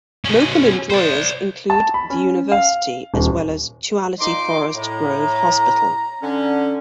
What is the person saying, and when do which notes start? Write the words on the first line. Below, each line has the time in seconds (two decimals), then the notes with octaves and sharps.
Local employers include the university as well as Tuality Forest Grove Hospital.
0.25 B2 C#4
0.90 C5 D5
1.70 A5
1.94 B5
2.10 C#4
2.52 F5
3.14 D#1
4.20 A#2 D#4 C6 D6
4.74 A2 A#5
6.22 D3 C#4